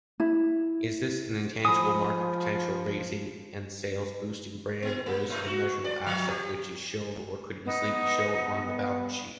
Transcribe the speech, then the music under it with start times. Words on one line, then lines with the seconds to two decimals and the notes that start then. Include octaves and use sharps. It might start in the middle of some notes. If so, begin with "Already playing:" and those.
Is this an intangible market potential raising and sales boosting brand or is it a measurable asset, which is shown or could easily be shown on the balance sheet?
0.20 E4
1.65 F3 G#5 B5 D#6
4.83 B3
5.06 A#3
5.30 A2
5.47 F#4
5.84 D5
6.06 F3
6.29 G4
7.66 B3 D#4